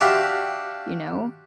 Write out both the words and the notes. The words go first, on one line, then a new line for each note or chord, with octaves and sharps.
you know?
D4 F#4 G4 E5 F5 C6